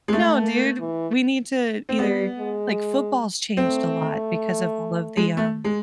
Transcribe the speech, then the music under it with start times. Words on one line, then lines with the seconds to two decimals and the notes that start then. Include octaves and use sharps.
"No, dude, we need to either" Like, football's changed a lot because of all of the, um
0.08 G#3
0.13 A3
0.40 A#3
0.79 E3
1.89 C4
1.99 G3 B3
2.38 G#3
3.57 A3 C4
5.17 G#3
5.37 A3
5.64 G#3